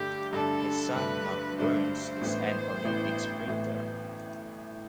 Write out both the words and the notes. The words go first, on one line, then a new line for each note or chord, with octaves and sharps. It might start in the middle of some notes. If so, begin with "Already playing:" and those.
His son Marc Burns is an Olympic sprinter.
Already playing: G2 D3 A3 D4 G4
G2 D3 A3 D4 A4
G2 D3 A3 D4 B4
G2 D3 A3 D4 C5
A1 A2 E3 B3
A1 A2 E3 B3
A1 A2 E3 B3